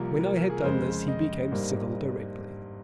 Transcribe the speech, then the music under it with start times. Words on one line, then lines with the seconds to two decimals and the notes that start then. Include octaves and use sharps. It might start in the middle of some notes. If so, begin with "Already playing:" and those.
When I had done this he became civil directly.
Already playing: C2 C3 F3 A#3 A#4
0.21 A#4
0.50 G#4
0.57 A#4
0.64 F2 C#3 G#3 C5
1.08 D#5
1.52 G#1 G2 G3 A#3